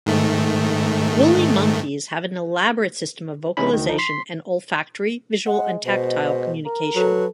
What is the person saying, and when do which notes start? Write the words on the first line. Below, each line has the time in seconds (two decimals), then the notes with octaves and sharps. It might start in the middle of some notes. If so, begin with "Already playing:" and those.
Woolly monkeys have an elaborate system of vocalization and olfactory, visual, and tactile communication.
0.06 G#2 D#3 A3
3.57 C3 E3 G#3 C#4 D#4 B5
3.73 D2 D#3
3.86 F3 D#4
3.99 C6 B6 C7
5.46 G#3 F#5
5.86 B2 G#3 C5
6.65 A#4
6.96 F#3 A4 B4